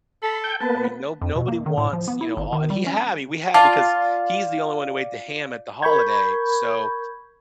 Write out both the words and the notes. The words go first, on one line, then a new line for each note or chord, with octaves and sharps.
I mean, no nobody wants," you know, o and he had I mean, we had, because he's the only one who ate the ham at the holiday, so
A4 B5
G5 G6
A#3 B3 B4 A5
F2
B2
A#3
D#3
A2
F3
B3
E4
G#1
D#3
G3
C#4
F4 D5 A5
A#4 B5 C#6 G6 G#6